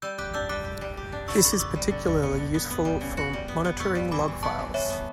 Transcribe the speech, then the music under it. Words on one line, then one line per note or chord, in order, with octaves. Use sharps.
This is particularly useful for monitoring log files.
G3 E6 G6
G4 D6 F#6
D4 E6 G6
G3 D6 F#6
G4
G3
G4
D4
D3 C#6 E6
B5
D3 C#6
D6
B3 C#6 E6
G3
D3
D3
B3
D3
B3
B3
G3
C#3
F#4
G3
B3
B3
B3 C#6 E6
G3
E3 B5 D6
E3
B3 A5 C#6
E3
E3 C#5 E5
B3